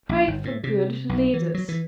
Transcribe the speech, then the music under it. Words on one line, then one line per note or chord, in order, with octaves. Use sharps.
"Pray for good leaders."
A#1
G1
A2
C3
B1
E3
F#3
E3